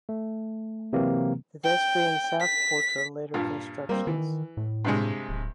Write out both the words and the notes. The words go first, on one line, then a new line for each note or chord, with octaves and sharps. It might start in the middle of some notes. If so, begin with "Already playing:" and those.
The vestry and south porch are later constructions.
A3
C3 E3 F#3 A#3 C4
G5
B6
G2 A#2
G3 A#3 C4
D#3 E3
A2
G2 C3 G#3
D1